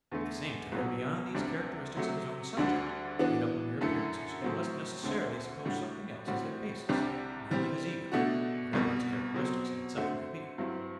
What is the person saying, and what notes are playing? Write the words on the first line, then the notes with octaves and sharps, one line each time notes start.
At the same time beyond these characteristics of his own subject, made up of mere appearances, he must necessarily suppose something else as their basis, namely, his ego, whatever its characteristics in itself may be.
E2 D3 A3
C2 B2 F#3 B3
D2 C3 G3 D4
C3 F#3 A3
D2 D3 G3 D4 F#4
E3 B3 D4 F#4
F#2 D3 A3 E4 A4
A2 F#3 C4
D2 D3 A3 C4
A2 G3 D4 F#4
A2 G3 C4 F#4
C2 C3 G3 D4 G4
E3 G3 C4 G4
B2 A3 D4 F#4
C2 B2 G3
B2 F#3 C4
D3 A3 C4 F#4
G2 F#3 C4 E4